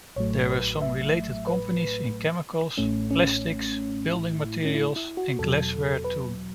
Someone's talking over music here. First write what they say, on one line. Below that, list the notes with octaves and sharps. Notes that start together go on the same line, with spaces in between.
There are some related companies in chemicals, plastics, building materials and glass ware, too.
A1 A2 F#3 A3 C#5
B4
E5
B4
A1 A2 A3 C#4
C#4
E4
C#4
E4
E4
F#4
E2 B2 F#3 A4
B4